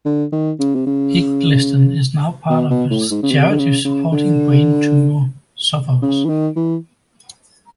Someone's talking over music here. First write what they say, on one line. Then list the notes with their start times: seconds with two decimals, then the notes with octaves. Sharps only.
Igglesden is now part of a charity supporting brain tumour sufferers.
0.06 D3
0.32 D#3
0.59 C#3
0.75 C3
0.87 C#3
2.50 B2
2.70 B2
2.90 A2
3.11 G#2
3.23 C#3
3.31 C3
3.50 D3
3.59 C#3
3.85 C#3
4.12 D3
6.02 C#3
6.25 E3
6.29 D#3
6.56 E3